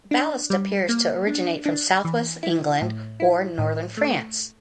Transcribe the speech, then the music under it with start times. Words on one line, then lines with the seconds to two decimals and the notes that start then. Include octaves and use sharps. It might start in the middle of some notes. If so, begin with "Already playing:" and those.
The ballast appears to originate from southwest England or Northern France.
0.11 D4
0.50 G3
0.89 A#3
1.27 D4
1.66 D4
2.05 E3
2.43 E4
2.82 A2
3.20 E4
3.59 A2
3.97 A3